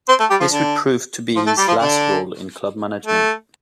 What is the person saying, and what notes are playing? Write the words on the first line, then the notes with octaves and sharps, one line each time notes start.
This would prove to be his last role in club management.
C4 C5
A3 A4
G3 G4
F3 F4
D3 D4
F3 F4
A3 A4
G3 G4
F3 F4
D3 D4
A3